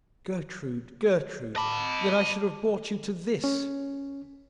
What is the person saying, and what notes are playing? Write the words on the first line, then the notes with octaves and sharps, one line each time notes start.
'Gertrude, Gertrude--that I should have brought you to this!'
D#5 A5 B5 D6
C#4